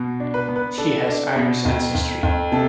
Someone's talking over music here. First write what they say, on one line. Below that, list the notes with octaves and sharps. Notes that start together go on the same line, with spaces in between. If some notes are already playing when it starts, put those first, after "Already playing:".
She has Irish ancestry.
Already playing: B2
D4
B4
B3
B4
D4 A4
D4
B2
F2
F2
F2
C3 A4